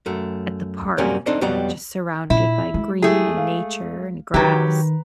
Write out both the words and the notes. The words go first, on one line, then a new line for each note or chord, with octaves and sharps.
at the park just surrounded by green and nature and grass.
F#2 A3
F#2 C3 G3 A#3 C#4 G#4
C4 D4 D#4 A4 C5
F2 B2 F#3 G3 A#5
A#2 E4
G#3
A3 E4 G4 G#4
F5
D#3 F#3 G4 B4 A#5